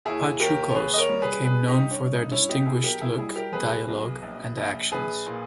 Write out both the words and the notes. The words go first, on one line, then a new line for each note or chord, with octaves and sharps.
Pachucos became known for their distinguished look, dialogue, and actions.
D#2 E4 G#4
D#2 G4 A#4
C#5
D#2 G#4 B4
D#5
A#4 C#5
G3
G#4 B4
B3 G#4 B4
D#4 G4
G2
C#4
G2 D#4
C#4 E4
B3 D#4 G4
E4 G#4
B1 G4 A#4
E4 G#4
G3 E4 G#4
G4 A#4
B1 G#4 B4
B1
A#1
A#1
A#1 G#4 B4
A#2